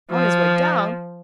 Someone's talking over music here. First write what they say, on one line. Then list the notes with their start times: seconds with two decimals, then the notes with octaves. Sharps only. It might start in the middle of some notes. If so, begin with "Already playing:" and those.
On his way down!
0.11 F3